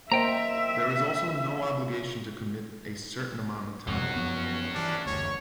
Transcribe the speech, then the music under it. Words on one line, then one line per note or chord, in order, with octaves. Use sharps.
There is also no obligation to commit a certain amount of time.
A#3 C5 D#5 E5 G5 A#5
F2 C3 C#4 F#4 F#5
F#2 F3 B3
G2 E3 D4
F#1 D2 C#5